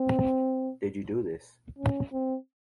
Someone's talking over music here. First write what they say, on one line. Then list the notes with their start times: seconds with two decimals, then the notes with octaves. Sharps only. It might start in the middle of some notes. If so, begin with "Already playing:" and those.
Did you do this?
Already playing: C4
1.79 C#4
2.12 C4